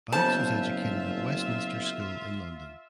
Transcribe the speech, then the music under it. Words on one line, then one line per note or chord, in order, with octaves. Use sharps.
Banks was educated at Westminster School in London.
F#1 B3 F4 C5 E5 A5 G6